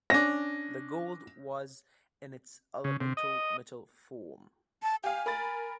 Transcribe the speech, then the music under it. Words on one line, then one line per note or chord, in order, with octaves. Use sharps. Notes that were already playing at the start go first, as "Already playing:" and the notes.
The gold was in its elemental metal form.
C#4 D4 A#6
C#3
C3
D#5
A5
G4 F5 G#5
A#4 B5 A6